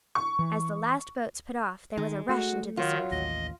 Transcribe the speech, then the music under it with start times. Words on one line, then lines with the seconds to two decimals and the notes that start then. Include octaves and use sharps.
As the last boats put off there was a rush into the surf.
0.15 C#6
0.39 E3
1.97 D#3 G#3
2.29 A3 F#4
2.77 D#3 F#3 F4
3.11 A1 D#2 D#5